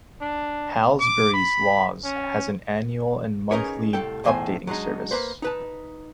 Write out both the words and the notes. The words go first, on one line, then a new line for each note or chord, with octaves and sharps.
"Halsbury's Laws" has an annual and monthly updating service.
D4
D6
B5
C#4
C#4 D#4 G#4 A#4 B4 C#5
C2 A2 A4 G5
B1 E2 A2 C5 G5 G#5
F#3 G#3 D4 D#4
A#3 B4 C5
D#4 B4 A5